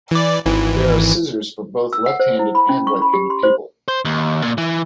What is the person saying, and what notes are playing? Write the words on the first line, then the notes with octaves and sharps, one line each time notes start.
There are scissors for both left-handed and right-handed people.
E3 D5
G#1 E3
E6
F#5
C5
E4
B5
C#4
C#6
B5
G4
C6
C5
C5
D#2
A#2
E3